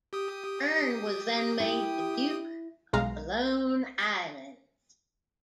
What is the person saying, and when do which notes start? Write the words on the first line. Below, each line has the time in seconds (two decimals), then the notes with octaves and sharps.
Bern was then made the Duke of the Lone Islands.
0.13 G4 D#6
1.60 E4 G5
2.93 B1 G#3 F5 A#5